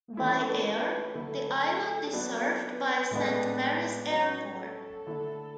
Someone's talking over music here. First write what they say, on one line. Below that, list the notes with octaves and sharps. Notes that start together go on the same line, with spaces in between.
By air, the island is served by Saint Mary's Airport.
E3 A3 C#4 E4 A4
B4
D3 F#3 A3 E4 A4
A4
F#3 B3 D4 F#4 A4
B4
A2 G#3 B3 D4
F#3 C#4 F#4 B4
A4
D3 A3 E4